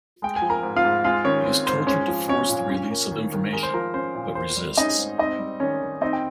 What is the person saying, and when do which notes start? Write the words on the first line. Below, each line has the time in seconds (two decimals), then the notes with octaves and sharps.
He is tortured to force the release of information, but resists.
0.22 G#3 G5
0.36 G#5
0.42 F3
0.49 A#4 A#5
0.63 G#2
0.76 F4 F5
0.84 G#2
1.04 G#3 F4 F5
1.25 D#3 C#4 C#5
1.46 C4
1.67 G#2 C5
1.87 G#3 C#4 C#5
2.07 F3
2.28 C#4 C#5
2.49 A#2
2.70 C#4
2.90 A#3
3.11 D#3
3.32 D#3
3.52 G#3 A#4
3.63 C5
3.74 F3 A#4
3.94 C#4 C5
4.15 A#2
4.35 A#3 C5
4.56 G3
4.77 C#4 D#4 D#5
4.98 G#2
5.18 C4 D#4 D#5
5.39 G3
5.60 D#3 C#4 C#5
5.81 D#3
6.01 C4 D#4 D#5
6.13 G5